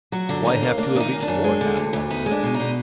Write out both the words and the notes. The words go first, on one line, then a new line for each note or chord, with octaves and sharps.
"But why have two of each sort?" asked Danglars.
F#3 F#4
D3
D#2 D#4
A#3
A#3 D4
D#3 D4
D#4
F#2
D4
F#2
G#3
D3
D2
D2
B3 D#4
G#3
D4
B2
D#4
B2